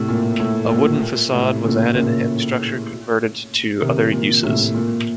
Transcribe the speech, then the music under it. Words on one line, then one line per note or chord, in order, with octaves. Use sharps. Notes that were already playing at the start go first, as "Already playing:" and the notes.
A wooden facade was added and the structure converted to other uses.
Already playing: A2 C3
A#2
A2
A#2
A#2
A2 C3
A#2 C#3
A#2 C#3
C3 D#3
A#2
A2 C3
A#2